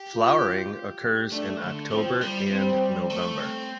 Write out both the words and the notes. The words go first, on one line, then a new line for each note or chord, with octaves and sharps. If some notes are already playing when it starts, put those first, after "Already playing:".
Flowering occurs in October and November.
Already playing: G4
F4
A3 D4
D3
F3 C4
G3
C4
A3
C4